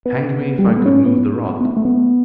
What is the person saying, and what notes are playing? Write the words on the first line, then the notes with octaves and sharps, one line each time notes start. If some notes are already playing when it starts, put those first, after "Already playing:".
Hang me, if I could move the rod!
B3
G3
A3
B3
C#4
B3
B3
B3
A3
A3
B3